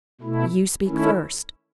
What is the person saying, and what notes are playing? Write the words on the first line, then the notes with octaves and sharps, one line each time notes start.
"You speak first."
B2 A3 E4
D#3 A3 C#4 E4